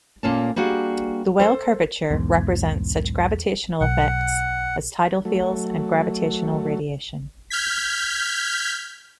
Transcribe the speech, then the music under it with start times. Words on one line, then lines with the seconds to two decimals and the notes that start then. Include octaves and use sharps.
The Weyl curvature represents such gravitational effects as tidal fields and gravitational radiation.
0.23 A#2 A#3 C#4 A4 A5
0.56 G3 A#3 D4 F#4 G#4
1.40 A4 C5
2.10 B1 E2 G#2
3.81 B1 F#5
5.25 F#3 A3
7.50 F6 G6 G#6 B6